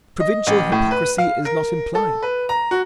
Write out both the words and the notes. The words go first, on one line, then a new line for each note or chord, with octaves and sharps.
Provincial hypocrisy is not implied.
D#5
A1
A2
B4
F5
A#4
A4
B4
A#5
F#4